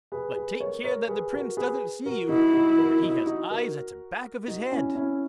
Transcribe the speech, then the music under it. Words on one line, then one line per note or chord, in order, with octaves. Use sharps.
But take care that the Prince doesn't see you, for he has eyes at the back of his head.'
G#4 B4
G#4 B4
A#4 C#5
A#4 C#5
G#4 B4
F#4 A#4
G#4 B4
F#4 A#4
D#4 E4 F#4
D#4 F#4
F#4 A#4
D#4 F#4
D#4 F#4
F#4 A#4
D#4 F#4
C#4 E4
C#4 E4